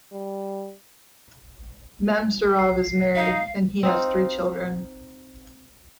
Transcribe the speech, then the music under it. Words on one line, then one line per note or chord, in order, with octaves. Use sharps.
Mamsurov is married, and he has three children.
G3
C7
D#4 F5
C4 D#4 F4